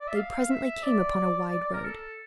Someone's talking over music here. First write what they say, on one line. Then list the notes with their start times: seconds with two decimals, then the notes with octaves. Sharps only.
They presently came upon a wide road.
0.01 D5
0.08 E5
0.15 F5
0.50 E5
0.83 D5
1.51 D5
1.62 D5
1.73 A#4
1.85 A4